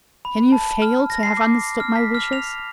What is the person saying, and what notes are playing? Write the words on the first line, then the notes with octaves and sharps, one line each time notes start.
Can you fail to have understood my wishes?
B5
A5
F6
A#6
C7
D6
F6
B6
F6
F7